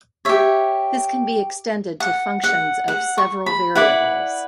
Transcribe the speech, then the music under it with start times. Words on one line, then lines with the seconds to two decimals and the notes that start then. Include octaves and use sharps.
This can be extended to functions of several variables.
0.25 G4 C#5 E5
2.00 F#5
2.44 F#5
2.88 F#5
3.18 C#6
3.46 B5
3.75 E4 B4 D5 F#5